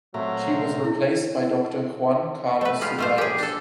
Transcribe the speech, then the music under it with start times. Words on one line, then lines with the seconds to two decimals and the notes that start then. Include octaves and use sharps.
She was replaced by Doctor Juan Carlos Zevallos.
0.14 A#2 F#3 A3 C4 A#5
0.85 E4
2.61 A3 B4
2.81 G3 G#3 F4 G4
2.99 A3 F4 C5
3.18 G4 G#4
3.39 D4 A4